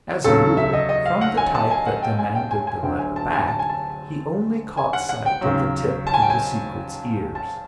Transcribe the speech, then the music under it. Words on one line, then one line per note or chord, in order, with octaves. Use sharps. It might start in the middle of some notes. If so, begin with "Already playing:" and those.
As a rule, from the type that demanded the letter back, he only caught sight of the tip of the secret's ears.
D#2 C#3 F#3 A4
E5
D#5
D#5
F5
F#5
G#5
A5
G#5
F#5
G5
G#5
G5
G#5
G#5
D2 D3 F#3 G5
G#5
A5
G#5
A5
G#5
A5
G#5
F#5
F#5
G5
D#2 C#3 F#3
A5
G#5
G5
G#5
A5